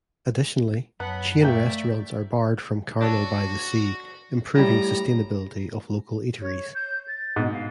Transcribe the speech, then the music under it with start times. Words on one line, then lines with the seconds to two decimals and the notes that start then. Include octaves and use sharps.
Additionally, chain restaurants are banned from Carmel-by-the-Sea, improving the sustainability of local eateries.
1.00 F#2 F#3 B3 F#5 A5 B5
1.42 A3 A#3 D5 E5 G5
3.01 D4 F#4 A4 C#5
4.56 A2 G3 A#5
6.42 C#5
6.75 G6
7.08 A6
7.36 G#2 B2
7.53 F5